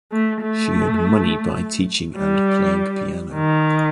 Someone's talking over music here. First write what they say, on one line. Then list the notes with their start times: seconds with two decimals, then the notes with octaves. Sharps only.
She earned money by teaching and playing piano.
0.12 A3
0.41 A3
2.17 G3
3.34 D#3